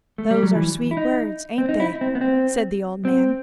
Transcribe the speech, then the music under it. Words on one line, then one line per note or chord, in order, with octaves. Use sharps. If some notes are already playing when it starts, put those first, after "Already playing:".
'Those are sweet words, ain't they?' said the old man.
A3
G3
F#3
E3
E4
D#4
C4
D#4
E4
C4
B3
C4
C4